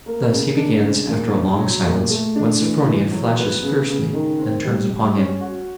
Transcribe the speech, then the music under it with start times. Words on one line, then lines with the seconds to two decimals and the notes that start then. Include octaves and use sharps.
Thus he begins after a long silence, when Sophronia flashes fiercely, and turns upon him.
0.06 A#3
0.32 C#3
0.57 D4
0.83 C#3
1.08 A#2
1.34 D4
1.59 F#3
1.85 A#2
2.10 A3
2.36 D4
2.61 E3
2.87 E3
3.12 F#3
3.37 B3
3.63 C#3
3.89 C#3
4.13 D#3
4.39 C4
4.65 G3
4.90 G3
5.15 C#4
5.41 F#4